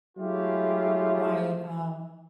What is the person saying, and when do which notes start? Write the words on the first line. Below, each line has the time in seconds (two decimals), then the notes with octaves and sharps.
why um
0.17 F#3 G#3 A3 E4 F4 G4